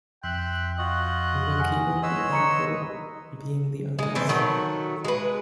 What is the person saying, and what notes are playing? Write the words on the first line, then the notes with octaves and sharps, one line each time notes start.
McEwen Airport being the others.
F2 E5 G5 C6 F#6
F4 F#4 D#5
F#5 G#5 F6
B4 C#5 D#5 C6 E6
B4 A#5 C#6 C#7
G#3 D#4
E3 A3 C4
D#3 F#3 A3
G#3 B4